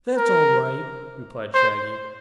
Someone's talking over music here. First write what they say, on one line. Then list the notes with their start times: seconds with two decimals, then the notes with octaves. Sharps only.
"That's all right," replied Shaggy.
0.18 A#4
1.54 C5